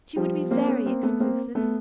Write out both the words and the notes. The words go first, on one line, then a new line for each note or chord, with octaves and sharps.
She would be very exclusive.
F3 G3
A#3 C4
B3 C#4
A#3 C4
A3 B3
A#3 C4
A3 B3